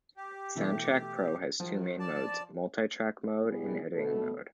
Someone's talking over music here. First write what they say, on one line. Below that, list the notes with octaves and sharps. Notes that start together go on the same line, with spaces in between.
Soundtrack Pro has two main modes: multitrack mode and editing mode.
G4
B2 E3 A3
D#3 F3
D5 A5
B2 G3 B3 E4 G#4
B2 A3 B3 A4